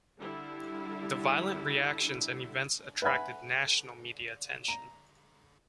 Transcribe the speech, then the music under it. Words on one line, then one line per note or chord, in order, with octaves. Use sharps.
The violent reactions and events attracted national media attention.
D3 G3 D4 E4
B4 E5 F#5 G#5 B5
A#5